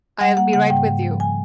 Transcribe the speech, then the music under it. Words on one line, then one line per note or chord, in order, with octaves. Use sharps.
I'll be right with you.
G3 F#5
A#3 F#5
C#3 F#5
G#2 G5
G#2
F3
G#5